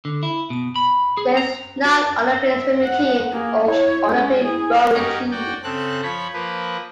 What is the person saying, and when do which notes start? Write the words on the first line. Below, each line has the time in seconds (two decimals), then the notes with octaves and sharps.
There is not an Olympic swimming team or Olympic rowing team.
0.05 D3
0.23 E4
0.50 B2
0.76 B5
1.17 G#4
1.37 A#5
1.85 F#4
2.44 E5
2.82 F#5
3.32 A#3 G#4
3.66 E4 C#5
4.09 G#3 C#4
4.45 E4 G#4
4.94 C#4 D#4 F#4 G4 A#4
5.31 F#4 D5 G5
5.63 C#3 C4 A4 F#6
6.03 F3 C#5 B5
6.33 F3 A#3 B4